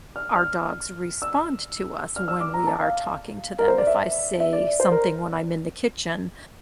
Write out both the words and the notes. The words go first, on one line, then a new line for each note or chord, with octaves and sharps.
our dogs respond to us when we are talking to them. If I say something when I'm in the kitchen,
F6
F6
E6
F6
E6
D6
A#5
A5
F5
A#4
C5
D5
E5
E5
D5
D5
C5
A#4